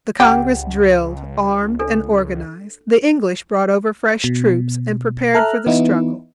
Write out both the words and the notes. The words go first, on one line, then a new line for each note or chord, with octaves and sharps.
The Congress drilled, armed, and organized; the English brought over fresh troops and prepared for the struggle.
C#2 G4 F#5
D4 A4
B2
A4 E5 A#5 F6 F#6
E3 B3 D#4 E4